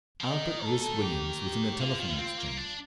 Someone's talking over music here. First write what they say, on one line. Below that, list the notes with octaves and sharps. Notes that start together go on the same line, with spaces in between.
Albert Rhys Williams was in the Telephone Exchange.
F3
D#3 D#5
A4
G4
G4
D3 F4
D#3
C4
A#3
D4